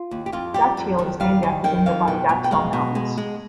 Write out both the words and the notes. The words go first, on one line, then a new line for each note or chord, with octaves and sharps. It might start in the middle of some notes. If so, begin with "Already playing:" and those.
Datil is named after the nearby Datil Mountains.
Already playing: F4
D#2
G4
F2 F4
G3 G4
F2
D#3
G3 F5
D#3
D#3 G5
F2 F5
B2 G5
B2
G5
G#3 F5
B2
G#3
G#3